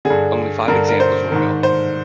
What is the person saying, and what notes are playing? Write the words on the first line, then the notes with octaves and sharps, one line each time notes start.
Only five examples were built.
D3 G#4
G2
G2 D3 A#4
A#4
C5
G#2 D#3
C5